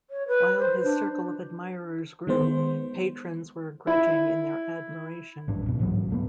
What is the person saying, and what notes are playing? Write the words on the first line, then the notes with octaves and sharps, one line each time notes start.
While his circle of admirers grew, patrons were grudging in their admiration.
C#5
B4
C5
D4
D#3 G#3 B3 C5
E4
A1 G2 D4
C#2 B2
A#1 G#2 E3 F#3
D1 A3 B3